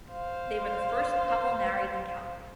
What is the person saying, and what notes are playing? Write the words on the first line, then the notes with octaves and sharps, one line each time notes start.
They were the first couple married in Calgary.
C5 F5